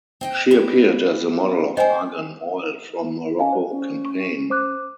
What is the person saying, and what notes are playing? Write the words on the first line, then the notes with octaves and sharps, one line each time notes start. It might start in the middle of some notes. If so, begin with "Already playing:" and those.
She appeared as the model of Argan Oil from Morocco campaign.
C4 D#5 G5
F4 B4 D5
C4 C5 D#5 G5 G#5
C#4 D#5 F5 G#5
C5 D5
C#4
C#6
C5 D6 F#6